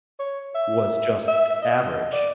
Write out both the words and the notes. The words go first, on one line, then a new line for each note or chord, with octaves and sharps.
was just average,
C#5
E5
E5
D#5
D5